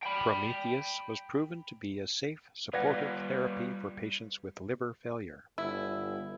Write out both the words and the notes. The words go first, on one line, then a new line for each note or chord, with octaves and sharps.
Prometheus was proven to be a safe supportive therapy for patients with liver failure.
G5 B5
G3 F4 B4 D5 F#5 G#6 A#6
G1 E4